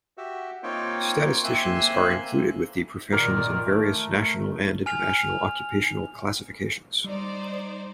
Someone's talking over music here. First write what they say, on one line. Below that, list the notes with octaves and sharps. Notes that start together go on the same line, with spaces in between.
Statisticians are included with the professions in various national and international occupational classifications.
F#4 G4 E5
A#3 C4 D#4 F4 C#5 G5
A#3 C4 E5 G#5 C6 F#6
A#2 D#3 A#4 D5
A3
G#5 F6 F7
G3 D#4 C5 D5